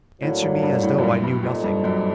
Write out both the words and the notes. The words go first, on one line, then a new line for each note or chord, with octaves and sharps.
"Answer me as though I knew nothing."
A2 F#3 A#3 D4 A4
G2
G2
A2
F#2
G2
G2
A#2 G3 C4 D#4 A4
G2
F#2